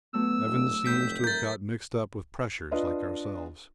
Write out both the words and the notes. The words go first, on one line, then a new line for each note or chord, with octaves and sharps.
Evans seems to have got mixed up with pressures like ourselves.
F#3 A3 B3 E6
E1
F1 A2 G6 B6
A#4 E5 G6 A6
D4 F4 B4 D#5